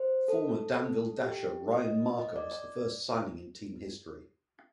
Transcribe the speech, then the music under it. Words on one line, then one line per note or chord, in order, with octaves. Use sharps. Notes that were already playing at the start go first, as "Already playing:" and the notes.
Former Danville Dasher Ryan Marker was the first signing in team history.
Already playing: C5
A4
G4
D#5
D#5
D5
D5